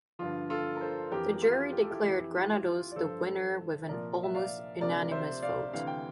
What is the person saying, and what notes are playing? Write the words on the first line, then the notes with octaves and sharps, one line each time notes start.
The jury declared Granados the winner with an almost unanimous vote.
G2 D3 F3 F4
F4 A4
A#4
A4 C5
F2 E3 G4 A#4
G4
F4
G4
A4
E4 G4
F2 E3 E4 G4
F4
F4
D5
G2 F3 A4 C5
C2 A#2 F3 A#4 D5
E5
D5 F5
D2 C3 F3 A#4 D5
C5 E5
D5 F5
D2 C3 E3 F5
G5